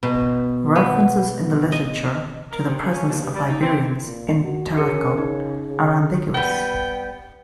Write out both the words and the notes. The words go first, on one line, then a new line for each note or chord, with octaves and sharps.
References in the literature to the presence of Iberians in Tarraco are ambiguous.
B2
B3
D#5
A#4
C3
C#3
C#4
D#2
G2
G3
D#4
C4
A#2
F#4
C#4 G#4 A#4 C#7
C#3 D#4
C#3
G3 B3 G5